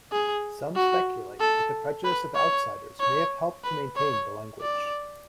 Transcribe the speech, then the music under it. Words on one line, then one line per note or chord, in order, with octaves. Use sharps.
Some speculate that the prejudice of outsiders may have helped to maintain the language.
G#4
F#4
A4
B4
C#5
C#5
B4
C#5
D5